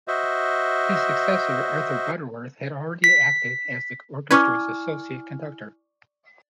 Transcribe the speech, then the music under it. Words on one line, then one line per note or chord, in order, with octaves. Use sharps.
His successor, Arthur Butterworth, had already acted as the orchestra's associate conductor.
F#4 C5 D#5 E5
B6
C#4 E4 B4 D5 G#5 C#6 D6 F6